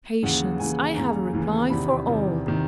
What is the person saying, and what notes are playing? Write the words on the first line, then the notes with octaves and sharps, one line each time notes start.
"Patience, I have a reply for all."
D#2 C#3 E3 F#5
D#2 C#3 E3 G#5
D#2 C#3 E3 A#5
D#2 C#3 E3
E2 C3 D#3 B5
E2 C3 D#3
C3 D#3